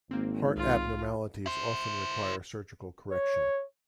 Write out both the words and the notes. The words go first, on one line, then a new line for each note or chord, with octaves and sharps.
Heart abnormalities often require surgical correction.
G#1 A#3 C4
C2 F4
E4 C5
C#5